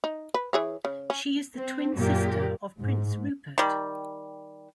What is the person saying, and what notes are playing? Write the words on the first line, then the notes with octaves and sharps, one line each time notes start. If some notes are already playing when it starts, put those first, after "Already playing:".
She is the twin sister of Prince Rupert.
D#4
B4
E3 G#4 C#5
C#3
C#4
C4
F#2 A#2 G4 A#4
G#2
D#3 G3